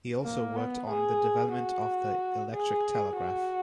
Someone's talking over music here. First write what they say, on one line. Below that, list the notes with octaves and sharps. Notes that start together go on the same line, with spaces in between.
He also worked on the development of the electric telegraph.
A#3
B3
G#4
F#4
G#4
F#4